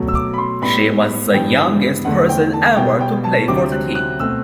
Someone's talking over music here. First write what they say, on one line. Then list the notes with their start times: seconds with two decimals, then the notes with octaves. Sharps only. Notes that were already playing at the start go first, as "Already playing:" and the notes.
She was the youngest person ever to play for the team.
Already playing: B2 F#3 A3
0.08 E6
0.15 D6
0.33 B5
0.38 C6
0.62 A2 G3 B3 B5
1.33 G2 E3 B3 G5
2.05 E2 D3 A3 F#5
2.29 G5
2.53 A5
2.76 B2 G3 B3 G5
3.00 G5
3.24 A5
3.48 D2 C3 F#3 C4 D6
3.72 F#6
3.95 F#6
4.20 B2 A3 C4 E6